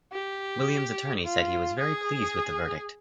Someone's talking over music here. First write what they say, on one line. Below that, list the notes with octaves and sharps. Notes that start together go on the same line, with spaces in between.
Williams's attorney said he was very pleased with the verdict.
G4
F4
G#4